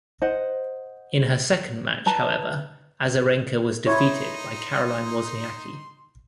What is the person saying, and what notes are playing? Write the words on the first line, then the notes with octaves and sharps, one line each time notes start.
In her second match, however, Azarenka was defeated by Caroline Wozniacki.
C5 D#5 F#5
B4 A5 A#5
D#4 E4 C#5 C6